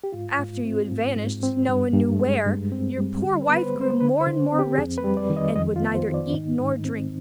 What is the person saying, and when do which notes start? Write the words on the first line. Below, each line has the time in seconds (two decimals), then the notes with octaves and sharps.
After you had vanished, no one knew where, your poor wife grew more and more wretched, and would neither eat nor drink.
0.04 G4
0.12 G#2 F4
0.39 G#2
0.65 C4
0.91 G#2
1.16 G#2
1.43 C4
1.69 G2
1.93 G2
2.19 G#3
2.46 G2
2.72 C4
2.98 G3
3.23 D3 G4
3.42 B4
3.49 B3
3.57 B4
3.63 C5
3.75 G#3
3.81 C5
4.01 D3 B4
4.21 C5
4.27 D3
4.52 C4
4.59 G4
4.78 F2 G#4
4.98 B4
5.04 G3
5.17 D5
5.30 D#3
5.37 D#5
5.56 F2 D#5
5.76 F4
5.82 B3
5.95 C5
6.08 D#3
6.14 D5
6.33 G#2 D#4
6.60 G#2
6.85 C4